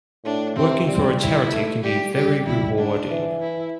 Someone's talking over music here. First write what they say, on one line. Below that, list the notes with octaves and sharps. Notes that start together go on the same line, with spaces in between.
Working for a charity can be very rewarding.
A2 D4
C3 C4
G3 C4
E4
A3
G3 G4
G3 G4
E4
D4
E3
E4